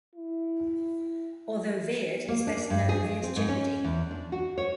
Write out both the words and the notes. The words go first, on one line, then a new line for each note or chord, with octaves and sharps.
Although Vered is best known for his Jeopardy!
E4
A#3
D4
G2
G#4
G#3
C4
G#2
C#4
E2
D4
F#4
C#5